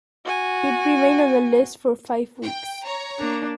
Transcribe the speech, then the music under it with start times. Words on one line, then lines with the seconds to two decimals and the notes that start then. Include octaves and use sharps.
It remained on the list for five weeks.
0.25 F#4 G#5
2.44 G5
2.85 C#5 A#5
3.20 A#3 D4